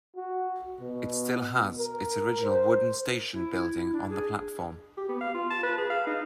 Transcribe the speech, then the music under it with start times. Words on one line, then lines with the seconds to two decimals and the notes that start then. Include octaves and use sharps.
It still has its original wooden station building on the platform.
0.16 F#4
0.81 B2
1.78 A#4
2.43 C5
3.34 E4
3.92 D4
4.09 G#4
4.97 G4
5.09 B3
5.21 F5
5.34 F4
5.50 A5
5.63 B4
5.78 G#4
5.90 F5
6.07 D#4